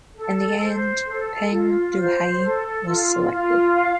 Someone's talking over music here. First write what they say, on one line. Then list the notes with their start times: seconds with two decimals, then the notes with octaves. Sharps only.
In the end, Peng Dehuai was selected.
0.15 A4
0.60 C5
1.05 A4
1.50 F4
1.95 C5
2.40 A4
2.84 F4
3.30 F4
3.75 F5